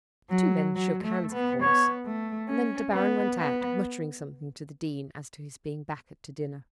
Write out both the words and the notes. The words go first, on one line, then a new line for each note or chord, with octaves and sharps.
The two men shook hands of course, and then De Baron went out, muttering something to the Dean as to his being back to dinner.
F#3
F#3
A3
B3
B3 C#5
A3
C#4
B3
B3